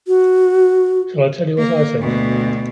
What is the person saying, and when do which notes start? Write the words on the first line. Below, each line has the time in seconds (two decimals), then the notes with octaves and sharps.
Shall I tell you what I think?
0.08 F#4
1.58 A#3
1.98 D2 B2